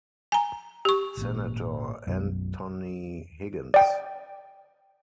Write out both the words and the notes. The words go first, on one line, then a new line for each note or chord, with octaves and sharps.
Senator Anthony Higgins.
G#5 A#5
G4 C#6
G#1 A#2
B1 F#2
D5 G5